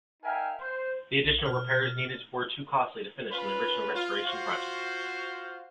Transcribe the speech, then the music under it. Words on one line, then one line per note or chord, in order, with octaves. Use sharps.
The additional repairs needed were too costly to finish in the original restoration project.
D#4 A#4 E5 F5 G5 G#5
C5
A#1
B2 F6
C#4 F4 B4
F4
F4 F#4 C5 F5